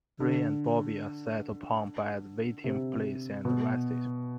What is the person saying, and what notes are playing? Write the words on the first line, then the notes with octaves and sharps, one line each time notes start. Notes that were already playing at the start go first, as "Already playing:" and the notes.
Ray and Bobby are set upon by the waiting police and arrested.
D3
C3
B2